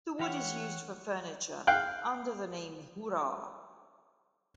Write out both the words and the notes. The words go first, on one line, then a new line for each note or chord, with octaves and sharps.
The wood is used for furniture under the name "hura".
E3 G4 C#5 F5 F#5
F5 G5 F#6